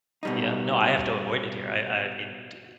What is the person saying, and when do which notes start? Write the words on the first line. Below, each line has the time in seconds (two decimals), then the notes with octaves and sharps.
Yeah, no, I have to avoid it here. I I mean, t
0.23 B2 G3 D#4